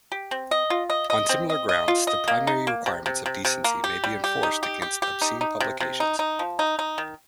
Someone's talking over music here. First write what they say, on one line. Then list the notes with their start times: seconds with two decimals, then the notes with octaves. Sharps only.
On similar grounds, the primary requirements of decency may be enforced against obscene publications.
0.12 G4
0.31 C4
0.51 D#5
0.70 F4
0.90 D#5
1.10 D#5
1.29 C4
1.50 D#5
1.69 D#5
1.88 F4
2.07 D#5
2.28 A#3
2.47 D#4
2.67 A#3
2.86 C3
3.06 C3
3.26 C3
3.45 C3
3.64 A#3
3.84 G4
4.04 G3
4.24 G4
4.43 D#4
4.63 G4
4.82 G4
5.02 G4
5.22 D#4
5.41 D#4
5.60 C3
5.80 C3
6.00 D#4
6.19 D#4
6.39 F3
6.59 D#4
6.79 D#4
6.98 D#3